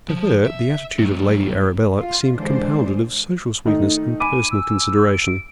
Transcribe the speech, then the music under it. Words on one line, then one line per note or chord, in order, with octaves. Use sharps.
To her, the attitude of Lady Arabella seemed compounded of social sweetness and personal consideration.
F3
E5
A2 F#3
F4
D3 E3 G#3 D4 C5
D#3 A3 D#4
G#5 B5 D6 D#7
E6
D7